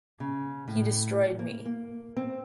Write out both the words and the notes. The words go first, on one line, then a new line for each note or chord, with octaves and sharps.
He destroyed me.
C#3
A2
A#3
A#3
C4